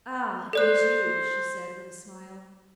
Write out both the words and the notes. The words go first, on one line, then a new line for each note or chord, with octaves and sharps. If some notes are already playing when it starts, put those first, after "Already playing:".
"Ah! it is you," she said, with a smile.
A4 C5 D5 F#6